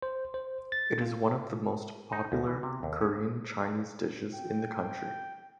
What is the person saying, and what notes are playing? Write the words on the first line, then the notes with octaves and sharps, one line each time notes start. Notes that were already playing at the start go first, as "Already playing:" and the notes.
It is one of the most popular Korean Chinese dishes in the country.
C5
C5
A6
F4
D#4
D2
E3
C3
D#2
C#4
G5